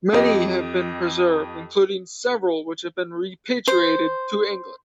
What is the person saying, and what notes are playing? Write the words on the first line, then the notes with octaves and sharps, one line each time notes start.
Many have been preserved, including several which have been repatriated to England.
F2 G4 D#5
C5